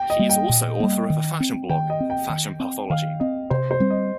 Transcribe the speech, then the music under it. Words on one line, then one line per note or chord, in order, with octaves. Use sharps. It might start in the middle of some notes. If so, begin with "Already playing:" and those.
He is also author of a fashion blog, Fashion Pathology.
Already playing: G5
D#5
G3 A#3
G5
A#2
G3 A#3
D#3
C4
D#3 G5
D#5
C4
G5
D#3
C4
D#3 F5
C4 D#5
C3 C5
C5
G3 C4
D#5